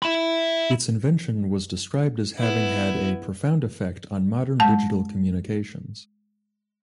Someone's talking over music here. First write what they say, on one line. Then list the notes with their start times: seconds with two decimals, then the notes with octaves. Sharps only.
Its invention was described as having had "a profound effect on modern digital communications".
0.03 E5 B5
2.38 B3 E4
4.60 G#3 A5